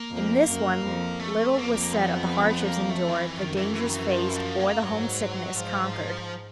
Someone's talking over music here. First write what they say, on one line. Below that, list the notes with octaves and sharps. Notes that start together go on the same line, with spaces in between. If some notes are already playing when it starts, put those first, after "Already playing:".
In this one little was said of the hardships endured, the dangers faced, or the homesickness conquered.
Already playing: A#3
F2
F#2
F2
A3
F2 A#3
A#3
B3
A#3
A3
D#3
E3
F#2 D#3
E3
E3
D#3
E3
F3
E3
F3
A#3
G#2 F#3
G#2 F3